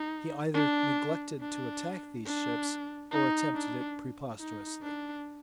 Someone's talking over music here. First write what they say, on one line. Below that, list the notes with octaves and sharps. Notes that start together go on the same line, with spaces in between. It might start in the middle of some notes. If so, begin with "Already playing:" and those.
He either neglected to attack these ships or attempted it preposterously.
Already playing: D#4
D4
D4
D4
D#4
D4
D#4
D4